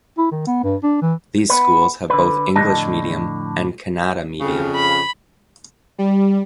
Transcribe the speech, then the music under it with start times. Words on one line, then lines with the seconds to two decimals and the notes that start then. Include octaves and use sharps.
These schools have both English medium and Kannada medium.
0.18 E4
0.31 D#3
0.47 B3
0.63 G2
0.83 D4
1.01 E3
1.49 B3 B4
2.10 D3 B4
2.56 F2 A2 D3 D4 D#5 A5
4.41 F2 C#3
4.76 B5
5.98 G3